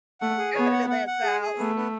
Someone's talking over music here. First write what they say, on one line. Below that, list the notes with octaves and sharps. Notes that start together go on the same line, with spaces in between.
good in this house."
A3 F#5
G#4
B3 C#5
F#5
F#5
F#5
G#4
G#4
A3 B3
B3